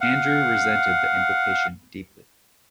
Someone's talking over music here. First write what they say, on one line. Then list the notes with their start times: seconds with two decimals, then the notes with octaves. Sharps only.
Andrew resented the implication deeply.
0.01 F5 F#5